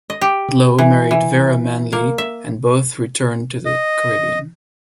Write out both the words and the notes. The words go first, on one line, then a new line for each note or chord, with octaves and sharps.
Ludlow married Vera Manley and both returned to the Caribbean.
D#5
G4
E3
E3
A#3
E5
D#5